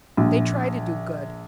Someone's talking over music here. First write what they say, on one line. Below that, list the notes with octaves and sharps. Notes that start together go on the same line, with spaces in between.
They try to do good.
A#1